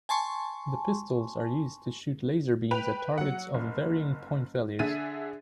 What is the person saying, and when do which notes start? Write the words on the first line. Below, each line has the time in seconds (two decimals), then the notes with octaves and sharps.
The pistols are used to shoot laser beams at targets of varying point values.
0.09 G#5 A5 C6 C#6
2.71 B4 G5 B5 F7
3.18 F#3 F#5
3.54 F#1
4.79 D3 G#4 E5 A6 D#7